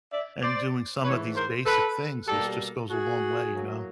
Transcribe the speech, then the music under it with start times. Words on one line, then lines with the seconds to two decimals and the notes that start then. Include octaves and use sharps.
and doing some of these basic things is just goes a long way, you know?
0.12 D5 E5
0.42 C5 D5
1.05 G#2 E3 A3 B4 C#5
1.36 A#4 C5
1.66 A4 B4
2.28 B2 G3 A#3 G4 A4
2.90 F#4 G#4
3.52 A2 F#3 A#3